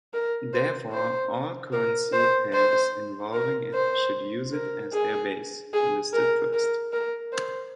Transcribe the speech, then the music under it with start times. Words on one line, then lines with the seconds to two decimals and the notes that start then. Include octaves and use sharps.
Therefore, all currency pairs involving it should use it as their base, listed first.
0.14 A#4
0.53 C5
0.93 C5
1.73 A#4
2.13 C5
2.53 C5
3.34 A#4
3.74 C5
4.53 A#4
4.93 G#4
5.73 G#4
6.13 A#4
6.53 A#4
6.93 A#4
7.33 C5